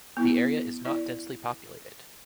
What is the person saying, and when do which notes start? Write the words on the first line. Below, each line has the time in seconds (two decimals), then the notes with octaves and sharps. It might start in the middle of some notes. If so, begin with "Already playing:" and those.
The area is not densely populated.
0.17 B3 E4
0.85 E4 D5